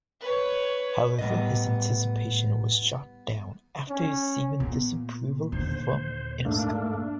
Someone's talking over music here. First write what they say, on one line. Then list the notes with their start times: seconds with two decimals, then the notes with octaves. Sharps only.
However, his anticipation was shot down after receiving disapproval from Interscope.
0.21 B4 C#5
1.19 A2 G3 B3 D#5
3.89 C#4
4.60 A#2 B3
5.52 D#2 D3 C5
6.45 G#2 A3 A#3 D4